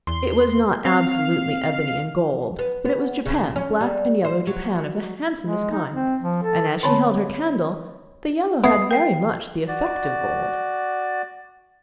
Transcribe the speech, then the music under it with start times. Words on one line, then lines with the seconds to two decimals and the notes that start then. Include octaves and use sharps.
It was not absolutely ebony and gold; but it was japan, black and yellow japan of the handsomest kind; and as she held her candle, the yellow had very much the effect of gold.
0.07 E2 C6
0.85 C4 F5
2.59 B3
2.85 B3
3.26 C#3
3.56 C#4
3.81 G3
4.25 C5
4.47 F#3
5.43 G#3
5.71 D#4
5.90 C4
6.21 F3
6.43 A4
6.83 D3 C4 C#5 A5 B5 C6
8.64 B3 E5 D#6 G#6 C7
8.91 A#4 G5 C7
9.68 F#4 D5